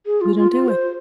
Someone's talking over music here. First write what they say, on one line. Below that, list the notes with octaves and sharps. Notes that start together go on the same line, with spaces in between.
We don't do it.
G#4
F4
F4
F4
C5